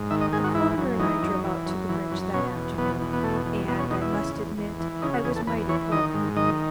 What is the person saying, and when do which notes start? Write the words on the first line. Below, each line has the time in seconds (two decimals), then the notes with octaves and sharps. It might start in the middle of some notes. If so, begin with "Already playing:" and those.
The coroner and I drove out to the bridge that afternoon and I must admit I was mighty poor company.
Already playing: G#2
0.11 D#3 E5
0.21 D#5
0.33 G#2 G#4
0.44 F#4
0.54 E3 E4
0.77 F#2
0.99 E3 D#4
1.22 F#2
1.44 E3
1.67 F#2
1.89 E3
2.11 F#2
2.34 B2 C#4
2.56 E2
2.78 B2 B3
3.01 E2
3.13 B3
3.23 B2 A3
3.46 E2
3.68 B2 B3
3.79 C#4
3.90 E2 D#4
4.02 E4
4.13 C#3
4.35 E2
4.58 E2
4.80 E3
5.02 C#3 D#4
5.14 F#4
5.25 E2 G#4
5.36 A4
5.47 E2 B4
5.69 E3 C#5
5.92 D#3 D#5
6.14 G#2
6.36 D#3 D#5